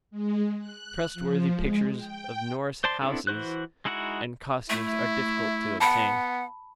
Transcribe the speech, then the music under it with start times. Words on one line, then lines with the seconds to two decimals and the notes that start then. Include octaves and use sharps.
Trustworthy pictures of Norse houses and costumes are difficult to obtain.
0.11 G#3
0.59 F#6
1.14 F3
1.55 G#3
1.95 G5
2.84 C5 D5 A5 C6
3.02 B3 C4 D4 E4 A4
3.27 E3 E4 F#4 C5 F#6
3.85 G#3 D#4 E4 F#4 F#5
4.70 A3 E4
5.80 B3 F#5 A5 B5